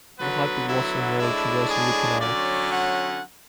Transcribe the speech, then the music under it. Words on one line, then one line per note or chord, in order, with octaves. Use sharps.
The hypoglossal nerve traverses the canal.
D3 F#3 B3 B4
E4
A2 G#3 D4 E4
G#4
D3 F#3 C#4 D5
F#5